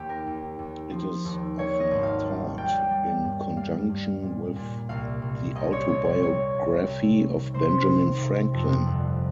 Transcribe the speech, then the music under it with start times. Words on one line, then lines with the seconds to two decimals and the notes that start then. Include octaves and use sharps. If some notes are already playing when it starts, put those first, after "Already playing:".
It is often taught in conjunction with "The Autobiography of Benjamin Franklin".
Already playing: D#2 A#3 G4
0.09 A#4
0.27 D#2
0.59 D#2
0.92 F3
1.25 D#2
1.58 D#3 C#5
1.80 D#5
1.91 G#1
2.03 F5
2.24 G3
2.58 G3 G5
2.91 G3
3.24 G2
3.56 G3 F5
3.89 G2
4.22 A#2
4.56 A#2
4.89 C2 F5
5.22 C2
5.55 C2 D#5
5.73 C#5
5.88 C2 C#5
6.05 C#5
6.22 C2 C#5
6.54 C2
6.87 C3
7.21 D#3
7.54 C3 C5
7.88 D#3
8.20 C3
8.54 F2
8.86 G1